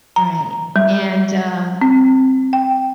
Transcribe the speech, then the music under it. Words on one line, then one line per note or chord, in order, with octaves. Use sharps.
Right. And, um,
A#5
G3
C4
G5